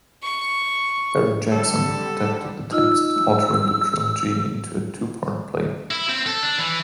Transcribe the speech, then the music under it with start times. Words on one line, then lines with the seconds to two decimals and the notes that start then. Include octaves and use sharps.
Barry Jackson adapted the text, altering the trilogy into a two-part play.
0.23 C#6
1.52 D3 G3 A4
2.72 D#4 F4 D#5 E6
5.91 E4
6.09 C4
6.26 A4
6.43 D4
6.59 E3